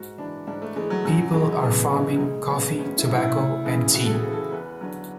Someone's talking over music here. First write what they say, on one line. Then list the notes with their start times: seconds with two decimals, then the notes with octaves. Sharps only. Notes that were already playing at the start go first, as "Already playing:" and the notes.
People are farming coffee, tobacco and tea.
Already playing: G#2 F#4
0.18 E3 D4
0.47 G#2 D4
0.62 A3
0.76 E3 G#3
0.90 F#3
1.05 F#2 F#3
1.34 E3 G#3
1.63 F#2 B3
1.92 E3 G#3
2.16 F#3
2.20 D2 G#3
2.50 C#3 F#3 B3
2.78 D2 C#4
2.98 E4
3.07 C#3 F#3
3.17 E4
3.37 D2
3.65 C#3 E3
3.94 D2 F#4
4.05 A4
4.14 G#4
4.23 C#3 E3
4.33 A4
4.52 E2 B4
4.81 D3 F#3